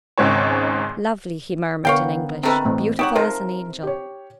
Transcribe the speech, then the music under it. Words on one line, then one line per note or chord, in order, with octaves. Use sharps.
"Lovely!" he murmured, in English; "beautiful as an angel!"
G#1 C#2 G#2 G#3 C5 C#5
D3 B3 A#4 C#5 F5 G5
C3 D#3 C4 A4 B4
A1 A3 C4
D#4 G4 C#5 F#5 G5 D#6 E7
C3 F3 A#4
G4 C#5